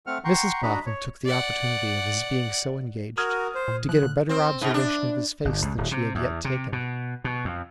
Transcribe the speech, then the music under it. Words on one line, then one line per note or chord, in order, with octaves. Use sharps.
Mrs Boffin took the opportunity of his being so engaged, to get a better observation of his face than she had yet taken.
A3 C4 F#5 F6
F#5 G5 A#5 C6 C#6
D4 F#4 D#5 A#5 B5
C#5
D5 F#5
F#4 A#4 D#6 F6 G#6
C5
A#2
F3 F#6
D3
C4
G#2
D4
G1
C#2
D1
C3
E2
C3
B2
B2
F2